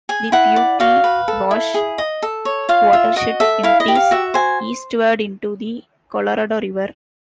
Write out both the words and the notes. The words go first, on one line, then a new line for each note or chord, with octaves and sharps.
The Piute Wash Watershed empties eastward into the Colorado River.
G#4 G#5
E4 F#5
D5
F#4 F5
B4
A4
E4
G#4
D#5
A4
C#5
F4 F5
F4 E5
F#4 D#5
A4 E5
E4 F5
D#5
G4
F5
F#4 E5
C5 G#5